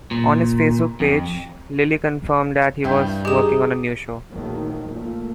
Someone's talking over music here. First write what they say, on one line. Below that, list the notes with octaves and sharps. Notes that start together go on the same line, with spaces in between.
On his Facebook page, Lilley confirmed that he was working on a new show.
A#2
F2
G2 C3 E4 G5
G#3 D#4 G4 G#4 E7
A#1 E2 D#3 F#3 A3 A#3
A#2 A3 A#3